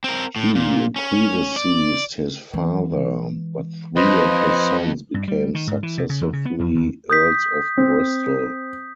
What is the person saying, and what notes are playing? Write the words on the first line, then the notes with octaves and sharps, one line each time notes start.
He predeceased his father, but three of his sons became successively Earls of Bristol.
C4 A#4
A2
A#2
C#4
D5
E3 G#3
F2 B4 C5 D#5
G2
G3
D#3
G#2
E3
C3
C#3
E2
C#3
B3
F2
D#2
D#6 G6 B6
C4